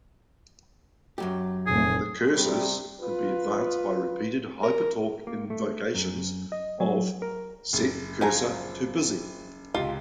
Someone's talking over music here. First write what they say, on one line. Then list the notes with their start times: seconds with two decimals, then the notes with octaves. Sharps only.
The cursors could be advanced by repeated HyperTalk invocations of "set cursor to busy".
1.18 F#2 F#3 G4
1.67 F1 A2 A3 G#4
2.32 C3 G3
3.02 F4 B4
4.63 A#4
5.27 A#3
5.50 A3
5.94 F#2
6.52 D#5
6.80 F#3
7.22 A#4
7.73 F#1
8.21 F3 G#5 A#5
9.74 C#2 C3 F4